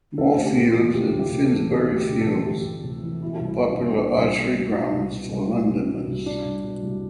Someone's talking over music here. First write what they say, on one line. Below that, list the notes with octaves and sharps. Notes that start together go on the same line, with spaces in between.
Moorfields and Finsbury Fields were popular archery grounds for Londoners.
D2 A4
D2
G4
C3
F4
E3
D2 G4
D2
G4
C3
A4
E3
D2 G4
D2
G4
C3
A4
E3
D2 G4
D2
C3
E3
B2 E4
C2
E4
B2
D4
C2
B2 D4
C2
B2
C2
B2
C2
B2
C2
B2
C2
B2
C2
B2 D4
C2
B2
C2